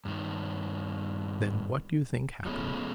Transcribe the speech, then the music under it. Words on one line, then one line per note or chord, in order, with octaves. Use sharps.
Then what do you think happened?
G2 D#3
F3 F#3 G#3 A3 B3 C#4